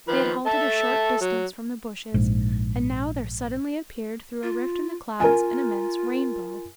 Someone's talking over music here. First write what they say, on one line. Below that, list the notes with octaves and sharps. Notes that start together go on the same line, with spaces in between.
They had halted a short distance from the bushes and now there suddenly appeared through a rift in the clouds an immense Rainbow.
D#3 F3 B4
A4 E5 A5
F#3
A#1 G#2
F4
F4 A#4 G#5